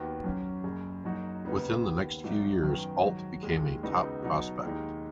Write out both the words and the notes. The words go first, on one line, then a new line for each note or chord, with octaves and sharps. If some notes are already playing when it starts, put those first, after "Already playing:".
Within the next few years, Ault became a top prospect.
Already playing: D#2 D#3 B3 F#4
F#2 F#3 C#4
F#1 F#2 C#3
F#1 F#2 F#3 D#4 F#4
D#2 C#3 G#3 B3 D#4
D#2 D#3 B3
G#1 G#2 F#3 D#4
F#2 D#3 F#3 B3
G#2 D#3 F#3
D#2 D#3 G#3
C#2 C#3 B3 D#4 F#4
B2 F#3 D#4
D#2 D#3 G#3 D#4